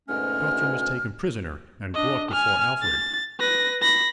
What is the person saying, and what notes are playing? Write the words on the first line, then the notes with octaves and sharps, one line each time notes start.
Guthrum was taken prisoner and brought before Alfred.
D2 G#2 B2 A3 C#4 F6
D4 D#5
G#5 F6
A6
B4 A#6
B5 A#6